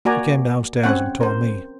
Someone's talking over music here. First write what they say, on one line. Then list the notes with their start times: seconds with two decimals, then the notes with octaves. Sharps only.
She came downstairs and told me.
0.05 A#3 F#4 D5 G#5 A#5
0.83 C4 C#4 C#5 F#5
1.21 A#4 C5